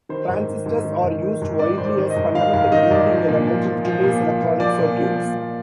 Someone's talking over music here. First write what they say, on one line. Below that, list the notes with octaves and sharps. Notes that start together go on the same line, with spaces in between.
Transistors are used widely as fundamental building element in today's electronic circuits.
D#3 C5
G#2
D#3
G#2
D#3
G#2
D#3
G#2
D#3 D5
G#2 C5
D5
D#3
D#5
G#2
D#3 F5
G#2 F5
D#3 D#5
G#2 D5
F3
A#2
F3
A#2
F3
A#2
F3
A#2
F3 D5
A#2
F3
A#2
F3